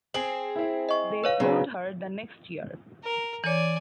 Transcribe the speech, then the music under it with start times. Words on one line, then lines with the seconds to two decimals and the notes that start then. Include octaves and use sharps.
They sold her the next year.
0.14 C4 G#4 F#7
0.56 E4 E5
0.89 D#5 C#6
1.24 B4 C#5 F5
1.40 C#3 F#3 C4 D4
3.04 A#4
3.44 E3 C#5 D5 G#5